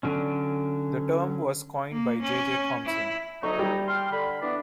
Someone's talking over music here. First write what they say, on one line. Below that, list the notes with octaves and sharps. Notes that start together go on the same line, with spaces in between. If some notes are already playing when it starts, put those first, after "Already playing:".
The term was coined by J. J. Thomson.
D3 F#3 C#4
A#3
C#4
E4
D2 F#3 D#4 C#6
G3
G5 C6 F6
D3 B5
E3 B3 D4